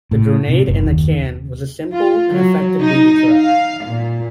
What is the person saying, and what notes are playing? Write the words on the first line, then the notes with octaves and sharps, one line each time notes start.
The "Grenade in a Can" was a simple and effective booby trap.
A2
C3
F#1
D#2
F4
F#3
D#4
F5
A#2